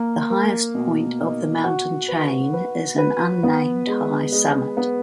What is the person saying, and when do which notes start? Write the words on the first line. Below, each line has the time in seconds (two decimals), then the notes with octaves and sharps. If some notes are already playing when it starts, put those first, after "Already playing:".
The highest point of the mountain chain is an unnamed high summit.
Already playing: A#3
0.30 A#4
0.74 B2
1.19 D#4
1.64 F#4
2.08 B4
2.53 B4
2.98 B4
3.43 B3
3.87 G#3
4.32 G#3
4.77 B3